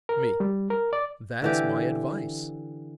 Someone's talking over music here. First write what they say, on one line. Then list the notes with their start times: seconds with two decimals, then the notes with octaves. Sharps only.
ME: That's my advice.
0.09 A#4
0.40 G3
0.70 A#4
0.93 D5
1.42 D3 E3 G4